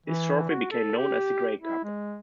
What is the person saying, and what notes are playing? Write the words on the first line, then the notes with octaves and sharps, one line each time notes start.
This trophy became known as the Grey Cup.
E3
F#4
A4
G4
E4
G#3